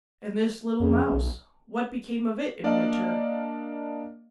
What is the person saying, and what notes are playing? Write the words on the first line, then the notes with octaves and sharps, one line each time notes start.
And this little mouse, what became of it in winter?
F2 C#3
B1
A#3 D4 D5 D#5 F5